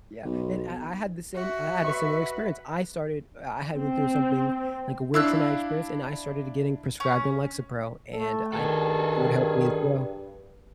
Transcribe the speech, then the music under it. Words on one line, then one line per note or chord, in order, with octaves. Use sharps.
Yeah, and I I had the same I had a similar experience. I started I had went through something, like, a weird traumatic experience, and I started getting prescribed on Lexapro, and I thought it would help me as well,
B1
F#4 E5
B4 D#5 C#6
C4
D4 E4 F5 E6 F#6
C#4
A3 A4
G2 D#3 G#4 A4